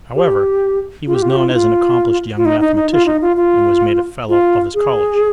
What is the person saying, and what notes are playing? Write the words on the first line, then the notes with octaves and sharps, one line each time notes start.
However, he was known as an accomplished young mathematician, and was made a fellow of his college.
G4
F4
G4
F4
G4
F4
D#4
F4
F4
D#4
D#4
D#4
F4
D#4
F4
F4
F4
G#4